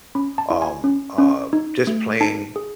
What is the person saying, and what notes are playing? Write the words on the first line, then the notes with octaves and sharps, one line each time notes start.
um, uh, just playing
C#4 B5
A5
E4
G#5
C#4
C#4
D#4
A3
D#4 A5
G#4